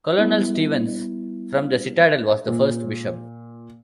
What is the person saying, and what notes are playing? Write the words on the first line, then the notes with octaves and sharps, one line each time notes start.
Colonel Stevens from the Citadel was the first bishop.
G3 B3 E4
A#2